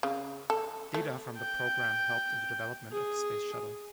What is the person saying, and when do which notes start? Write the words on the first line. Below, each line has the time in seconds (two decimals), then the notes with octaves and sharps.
Data from the program helped in the development of the Space Shuttle.
0.03 C#3
0.50 A4
0.94 A3
1.38 G5
2.91 G#4